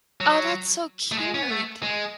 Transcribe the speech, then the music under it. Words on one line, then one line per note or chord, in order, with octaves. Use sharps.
Oh, that's so cute.
F#3
A3
G#3
C#4
B3
A3
G#3